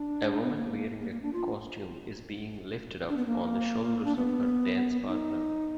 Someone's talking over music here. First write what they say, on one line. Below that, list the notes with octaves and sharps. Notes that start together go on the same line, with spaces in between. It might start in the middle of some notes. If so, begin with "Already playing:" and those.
A woman wearing a costume is being lifted up on the shoulders of her dance partner.
Already playing: D4
B3
A#3
A#3
A#3
D4
F4
D4
B3
A#3
D4
B3
D#4